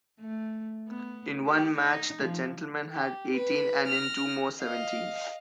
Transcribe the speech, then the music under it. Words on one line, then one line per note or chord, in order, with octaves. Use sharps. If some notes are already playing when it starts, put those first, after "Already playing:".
In one match the Gentlemen had eighteen and in two more seventeen.
A3
B3
G4
D#4
F3
G4
B4
F6 A#6
D#5 F5